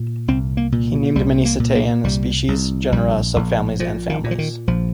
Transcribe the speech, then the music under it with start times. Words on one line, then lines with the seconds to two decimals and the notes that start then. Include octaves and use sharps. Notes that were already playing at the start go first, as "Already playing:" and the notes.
He named many cetacean species, genera, subfamilies, and families.
Already playing: A#2
0.28 C2 C4
0.57 A#3
0.72 A#2
1.15 C2 G3
1.45 A#3
1.60 A#2
1.75 A#3
2.04 C2 G3
2.48 C2
2.92 A#1 G3
3.36 A#1
3.79 A#2 F3
4.09 D#3
4.24 A#2
4.31 F3
4.39 D#3
4.68 A#1 F3